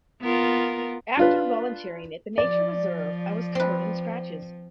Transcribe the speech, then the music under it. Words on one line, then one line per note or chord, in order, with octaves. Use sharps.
After volunteering at the nature reserve I was covered in scratches.
B3 F4 A#4
D4 F4 B4
F3 D5
C4 B4